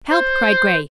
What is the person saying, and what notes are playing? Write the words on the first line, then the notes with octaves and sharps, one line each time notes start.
"Help!" cried Grace.
C5